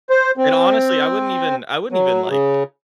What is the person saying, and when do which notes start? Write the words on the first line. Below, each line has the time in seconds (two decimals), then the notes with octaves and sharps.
And, honestly, I wouldn't even I wouldn't even, like,
0.10 C5
0.37 C4
1.92 F#3
2.29 C#3